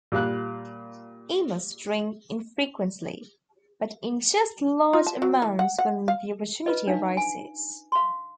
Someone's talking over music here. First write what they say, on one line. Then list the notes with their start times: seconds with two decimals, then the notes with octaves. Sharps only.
Emus drink infrequently, but ingest large amounts when the opportunity arises.
0.12 A#2 G3 F5 F#6
4.93 F4
5.07 A5
5.22 F#3
5.42 E3
5.59 F#5
5.79 F#5
6.08 F5
6.66 F4 B4 D#5
6.87 D4 D#4 F5
7.17 G#5
7.92 F5 C6